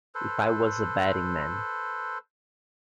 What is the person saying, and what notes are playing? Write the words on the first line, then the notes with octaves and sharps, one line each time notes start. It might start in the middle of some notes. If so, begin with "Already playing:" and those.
If I was a betting man.
A4 B4 C5